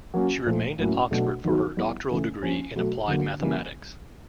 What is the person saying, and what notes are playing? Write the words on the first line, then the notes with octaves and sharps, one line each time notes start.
She remained at Oxford for her doctoral degree in applied mathematics.
F#3 A#3 C#4
A#2 F3 A3
A2 F#3 A#3 C#4 E4
B2 F#3 A3 D4
D#3 F#3 B3 D#4 F#4
G3 B3 E4
C#3 E3 A3
F3 A#3 C#4
B2 F#3 A3
D3 F#3 A#3
C#3 E3 G3 A#3